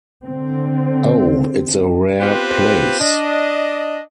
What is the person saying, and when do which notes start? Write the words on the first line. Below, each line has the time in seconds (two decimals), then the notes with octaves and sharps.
Oh, it’s a rare place!
0.25 D3 C4
2.21 B3 C4 F4 G4 B4 C5
3.00 D4 D#5